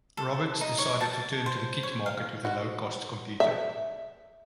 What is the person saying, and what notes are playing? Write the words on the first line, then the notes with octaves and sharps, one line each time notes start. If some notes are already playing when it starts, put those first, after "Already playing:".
Roberts decided to return to the kit market with a low cost computer.
A4
D#4
C#5
A5
C5
C#5
F5
F#4
E5